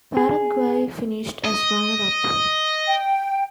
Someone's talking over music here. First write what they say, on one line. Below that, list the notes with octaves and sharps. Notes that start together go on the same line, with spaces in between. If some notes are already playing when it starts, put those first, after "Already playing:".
Paraguay finished as runner-up.
G#4
D#5
G5